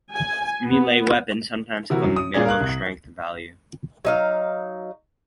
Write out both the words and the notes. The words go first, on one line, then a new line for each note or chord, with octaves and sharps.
Melee weapon sometimes have a "Minimum Strength" value.
G#5
B3
C3 E3 E4 F#4 A#4
F#2
D#6
A#2 A#3 C#4 G#4 D5 G#6
A#4 F5 F#6 F#7
C2
F#3 D#4 F5